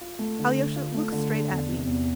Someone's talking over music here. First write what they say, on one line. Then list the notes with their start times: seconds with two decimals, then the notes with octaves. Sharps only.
Alyosha, look straight at me!
0.01 F4
0.19 A3
0.39 D3
0.57 D4
0.76 F4
0.94 A3
1.12 D3
1.32 D4
1.50 E2
1.69 C3
1.87 E2